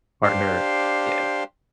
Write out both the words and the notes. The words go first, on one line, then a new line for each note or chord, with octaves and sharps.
partner, yeah.
D4 G4 C5 F5